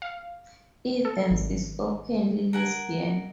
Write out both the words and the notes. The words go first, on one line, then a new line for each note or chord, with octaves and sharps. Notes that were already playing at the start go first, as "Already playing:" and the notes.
Evans is openly lesbian.
F5
A4
G#1
A#4 F#5 G#5